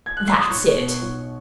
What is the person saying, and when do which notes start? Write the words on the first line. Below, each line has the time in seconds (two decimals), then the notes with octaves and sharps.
"That's it."
0.06 G#6
0.17 F#6
0.28 F6
0.39 D#6
0.50 B1 C#6
0.76 B2
1.02 B1